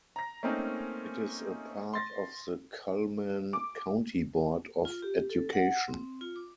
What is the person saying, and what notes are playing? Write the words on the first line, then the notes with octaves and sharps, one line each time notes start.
It is a part of the Cullman County Board of Education.
A#5 A#6
A3 A#3 C4 C#4 D#4
C6 A6 A#6
D6
F4
G4
A4
F#5
C4
F4
D6